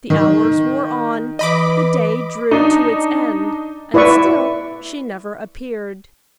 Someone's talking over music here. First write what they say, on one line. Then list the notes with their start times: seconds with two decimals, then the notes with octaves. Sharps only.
The hours wore on; the day drew to its end--and still she never appeared.
0.10 D#3
1.39 E3 D#5 B5 D6
2.51 D4 D#4
3.94 E4 B4 D5 E5 C#6